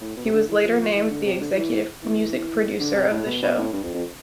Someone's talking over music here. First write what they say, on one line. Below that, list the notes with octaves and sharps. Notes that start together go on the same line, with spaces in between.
He was later named the executive music producer of the show.
A2
B2
C3
D3
E3
F3
E3
D3
C3
D3
F3
E3
E3
D3
C3
A2
B2
B2
A2
G2
F2
F2